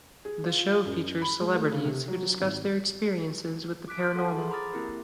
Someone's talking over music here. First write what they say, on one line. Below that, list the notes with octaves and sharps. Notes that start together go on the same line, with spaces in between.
The show features celebrities who discuss their experiences with the paranormal.
G#4
F4
F#2
B5
G#3
A3
C#3
C3
F#3
G#1
D6 F#6 B6 D7
C6 F6
A4 F#5 A5
G#4 C6
A#5 B5 D6 D#6 F6 A6
A#3 C4 E4 G4 A#4